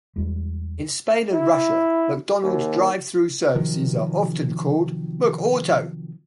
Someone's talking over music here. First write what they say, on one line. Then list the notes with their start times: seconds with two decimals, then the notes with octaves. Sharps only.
In Spain and Russia, McDonald's drive-through services are often called "McAuto".
0.16 E2 E3 G3 G#3
1.33 E4
2.43 D#2
3.55 C3 D#3 F3 F#3